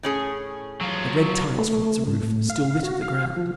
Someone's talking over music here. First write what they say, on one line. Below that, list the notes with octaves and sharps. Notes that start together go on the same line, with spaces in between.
The red tiles from its roof still litter the ground.
A2 C#4 G#4
F#3 F4
A3
G#2
A2
F5
F#4
F5
F3